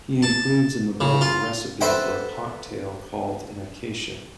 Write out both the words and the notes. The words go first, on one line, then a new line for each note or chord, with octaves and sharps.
He includes in the book a recipe for a cocktail called an "Acacia".
A5
C#3
F4
A4 B4 C5 E5 F#5 G5